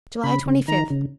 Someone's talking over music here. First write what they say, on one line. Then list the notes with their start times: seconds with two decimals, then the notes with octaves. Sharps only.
July Twenty-fifth.
0.24 C#3 B5
0.46 C#3
0.68 D#3 A#5
0.90 C#3